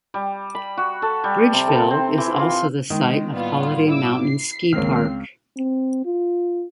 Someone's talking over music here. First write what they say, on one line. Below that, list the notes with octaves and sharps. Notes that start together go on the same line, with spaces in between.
Bridgeville is also the site of Holiday Mountain Ski Park.
G3
B5
F#4
A4
G3
C3
A4
C4
E3
F4
D#3 G#3
A2 G3 A#3 B3 F4
E4 D6 E6
C7
C#2 D#3 A#3 C4 A#4 F6
C4
F4